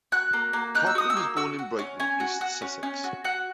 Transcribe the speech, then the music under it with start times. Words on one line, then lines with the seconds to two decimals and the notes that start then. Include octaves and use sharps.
Cochrane was born in Brighton, East Sussex.
0.12 F#4 F#6
0.33 A#3
0.53 A#3
0.75 D#4 F#6
0.87 E6
0.95 F#4 D#6
1.10 E6
1.17 A#3
1.37 F#4 E6
1.59 F#4
1.79 C#4
2.00 C#4 G#5
2.20 F#4
2.41 F#4
2.62 C#4
2.83 C#4
3.04 F#4
3.24 F#4 F#5